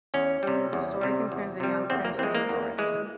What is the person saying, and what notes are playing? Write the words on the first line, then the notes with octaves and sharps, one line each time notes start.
The story concerns a young prince named George.
E2 C#4
C3 G3
E2
C3 G3
E2
C3 G3
E2 C4
A#3
E3 G#3 C4
A#3
E2
E3 G#3